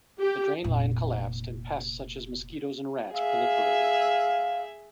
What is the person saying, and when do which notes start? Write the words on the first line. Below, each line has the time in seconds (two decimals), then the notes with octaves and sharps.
The drain line collapsed and pests such as mosquitos and rats proliferated.
0.20 G4
0.64 F1 A#2
3.14 G#4 E5 F5